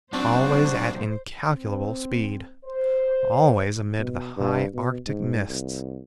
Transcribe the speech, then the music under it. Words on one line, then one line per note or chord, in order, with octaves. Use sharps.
Always at incalculable speed! Always amid the High Arctic mists!
B1 C4 D4 F#4 C5
C4
C5
B2
G2
B2
G#2
C2